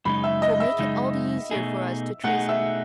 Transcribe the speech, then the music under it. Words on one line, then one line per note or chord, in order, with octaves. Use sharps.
It will make it all the easier for us to trace him.
F#2 C#3 G#3 D#4 B5
E5
D#5
E5
F#2 C#3 G#3 D#4
B2 A3 D#4 G#4
B2 A3 D#4 G#4 F#5
E5